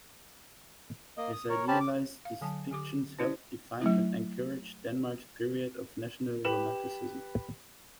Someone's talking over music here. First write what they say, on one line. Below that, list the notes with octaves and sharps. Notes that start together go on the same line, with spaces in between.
His idealised depictions helped define and encourage Denmark's period of national romanticism.
A#3 D#5
D#6
A#4 C#5
C4 C#4 G4 A5 B5
D6
F5
D3 F#3 G#5 A5
D3 G4 D6
C#4 E4 G4 C5 D5
F#3 A3 E4
G4 B4 E7 F#7